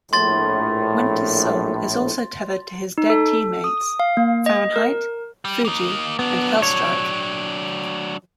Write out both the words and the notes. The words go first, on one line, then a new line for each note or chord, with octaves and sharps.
Winter's soul is also tethered to his dead teammates; Fahrenheit, Fuji, and Hellstrike.
A#1 A2 C6 A6
D#4
A4
D#6
F5
A#3
D#5
A#4
G3
A#3 D#4
F#3 B3 D4
C#5